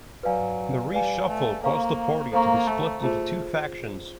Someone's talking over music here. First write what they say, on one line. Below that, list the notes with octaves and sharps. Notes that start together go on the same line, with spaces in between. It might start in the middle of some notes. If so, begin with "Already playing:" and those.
The reshuffle caused the party to be split into two factions.
F#3 B4 D5 F5 G#5
G3 B4 D5 F5 G#5
A3
A#3 A4 C5 F5 A#5 C#6
A#3 A4 C5 F5 A#5 C#6
A3
A3 F4 G#4 C5